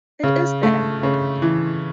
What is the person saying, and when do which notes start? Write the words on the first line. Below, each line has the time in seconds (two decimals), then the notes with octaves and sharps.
It is that important.
0.23 C#3
0.63 A3
1.03 C#3
1.42 E3